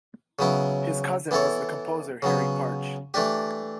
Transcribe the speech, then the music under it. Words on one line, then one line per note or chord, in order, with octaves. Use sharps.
His cousin was the composer Harry Partch.
C#3 F#3 B3 E4
E3 B3 E4 A4 C#5
C#3 F#3 B3
E3 A3 D4 G4